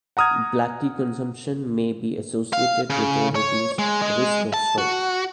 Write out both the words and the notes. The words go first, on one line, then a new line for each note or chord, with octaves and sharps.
Black tea consumption may be associated with a reduced risk of stroke.
F#5 A#5 D#6 F6 G#6
F5
C#3
C#5
G#3
G#3
A5
F#4